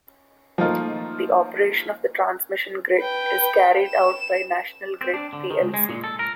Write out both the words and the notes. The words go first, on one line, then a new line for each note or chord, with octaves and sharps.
The operation of the transmission grid is carried out by National Grid plc.
F3 A3 A#3 D#4 F4 A#4
B4 G5
E7
C4
D4
D3
D#3
C#2
G#3
A#2
A4
A#4